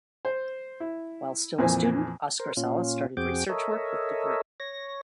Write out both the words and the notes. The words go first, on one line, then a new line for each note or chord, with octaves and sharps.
While still a student, Oscar Sala started research work with the group.
C5
E4
F2 A#2 E3 C5 G#5
A#4 C5
A#2 C#4 F4
F2 C4 F#4 G#4 G5 D6
A4 A#4 C#5 D#5 E5
C#5 A#6